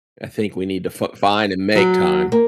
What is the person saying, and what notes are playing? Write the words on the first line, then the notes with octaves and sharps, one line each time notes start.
I think we need to fi find and make time.
F#3
A#3